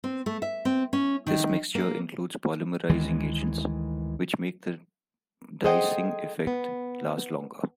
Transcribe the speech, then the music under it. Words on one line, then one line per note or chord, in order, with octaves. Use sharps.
This mixture includes polymerising agents, which make the deicing effect last longer.
C4
A3
E5
C4
C#4
D#3
A#3
D2 D#3 E3 G#3
G#4 A4 C5 D#5 F#5 G5
B3